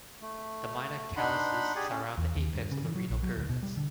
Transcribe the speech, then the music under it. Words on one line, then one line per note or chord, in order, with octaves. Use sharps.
The minor calyces surround the apex of the renal pyramids.
A3
D4 D#4 F#5 B5 C6
G4 G#4 D5 G#5
C#4
E2
D#2
G2
C#3
E3
F#3
A#1
F#3
D2
B2
G3
D3